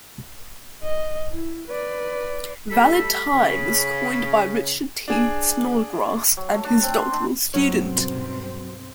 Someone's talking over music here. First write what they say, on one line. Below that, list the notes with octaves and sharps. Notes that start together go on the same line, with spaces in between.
"Valid time" was coined by Richard T. Snodgrass and his doctoral student.
D#5
E4
B4 D5
G3 A3 A4 B5
C#3
D4 G#4
F#3
A3
D4
C4
C6
D4
B1 G2 F#3 C4 C#4 C#5